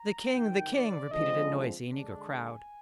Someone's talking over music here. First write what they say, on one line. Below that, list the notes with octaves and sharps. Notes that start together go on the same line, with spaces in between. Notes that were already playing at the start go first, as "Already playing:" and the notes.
"The king! the king!" repeated a noisy and eager crowd.
Already playing: A#5
G#2 D#3 G3 G5
D5
D3 F3 G#3 C4 D#5
D3 G#3 D4
G#5